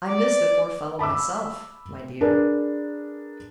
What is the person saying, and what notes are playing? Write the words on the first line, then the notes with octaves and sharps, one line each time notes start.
I miss the poor fellow myself, my dear.
D5
A5 B5 D6 E6
D4 G#4 A#4 B4